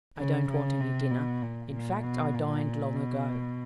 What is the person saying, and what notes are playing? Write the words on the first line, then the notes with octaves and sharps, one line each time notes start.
I don't want any dinner; in fact, I dined long ago.
C#3
C#3
C3
B2
A#2
A#2
B2
A#2
B2